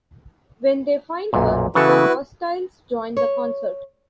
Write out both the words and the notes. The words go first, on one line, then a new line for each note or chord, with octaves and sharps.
When they find her, the hostiles join the concert.
B1 F#2 A#2
C#3 E3 E4 F#4 A4 B4
C#5